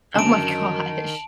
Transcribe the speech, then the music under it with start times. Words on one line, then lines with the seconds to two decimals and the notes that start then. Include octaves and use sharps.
Oh my gosh.
0.15 F#2 D3 D#3 C#4 A5 D7